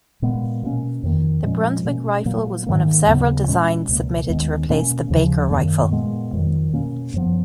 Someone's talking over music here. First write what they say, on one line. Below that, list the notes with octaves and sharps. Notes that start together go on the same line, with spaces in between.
The Brunswick rifle was one of several designs submitted to replace the Baker rifle.
A#2 G#3 B3
B2 A#3 C#4
F2 D#3 A#3
A#2 F3 G#3 C#4
B2 A#3 C#4
A#2 F#3 A#3
G#2 D#3 A#3
D#2 C#3 F#3 B3
A#2 G#3 C#4
C#2 B2 A#3
D#2 D#3 G#3 B3
B2 A#3 C#4
D#2 C#3 F3
F#2 D#3 A#3
A#2 G#3 B3
F2 D#3 F#3
B2 A#3 C#4
F#2 F3 B3